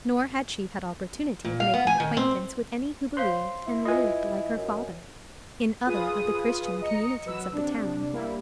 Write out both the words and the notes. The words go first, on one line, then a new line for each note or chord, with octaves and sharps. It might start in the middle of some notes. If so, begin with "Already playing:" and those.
Nor had she had opportunity of making acquaintance with any who believed and lived like her father, in other of the Christian communities of the town.
A#2
F5
B3
G#5
D#3
C4
C5 C#5 F5 C6
E4
F4 B4 D#5 G#5
F#2
F4 G#4 B4 D#6
D#5 A#5 C#7
F#3 B4 E6
C3 D4
G3 A#3 E4